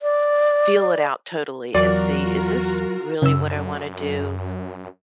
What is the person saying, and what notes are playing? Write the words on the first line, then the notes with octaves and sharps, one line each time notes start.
f feel it out totally and see, is this really what I wanna do
D5
E2 F#3 F4 F#4 A#4 D5
F#2 C#3 E6